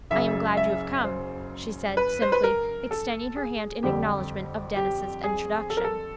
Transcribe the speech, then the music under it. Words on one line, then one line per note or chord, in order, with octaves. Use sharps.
"I am glad you have come," she said, simply, extending her hand in acknowledgment of Denis's introduction.
F#1 F#2 C#3 E5
E5
C5
B4
C5
B4
A#4
A4
G#4
F2 D3 G3 G4
G4
G#4
A4
A#4
A4